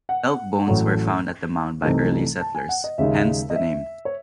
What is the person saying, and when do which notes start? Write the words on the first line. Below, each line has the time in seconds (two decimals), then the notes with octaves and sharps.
Elk bones were found at the mound by early settlers, hence the name.
0.09 F#5
0.67 A1 A2 F#3 A3
1.82 C2 C3 E3 A3 D#4
2.41 A5
2.55 G#5
2.69 F#5
2.84 D#5
2.98 D#2 C#3 G#3 D#4 E5
3.50 D#5
3.56 E5
4.05 C#5